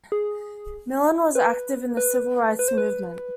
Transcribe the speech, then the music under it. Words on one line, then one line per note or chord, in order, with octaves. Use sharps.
Millen was active in the civil rights movement.
G#4
B4
B4
B4
C5
B4